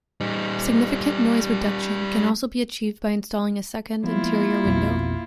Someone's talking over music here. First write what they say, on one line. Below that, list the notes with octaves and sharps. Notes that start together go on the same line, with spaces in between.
Significant noise reduction can also be achieved by installing a second interior window.
G3 D#4
F3 G#3 A#3 B3 E4 F4
A#1 F2 B2